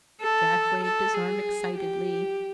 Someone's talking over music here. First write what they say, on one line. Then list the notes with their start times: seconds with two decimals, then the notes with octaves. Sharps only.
Jack waved his arm excitedly.
0.21 A4
0.83 A4
1.15 G#4
1.77 G4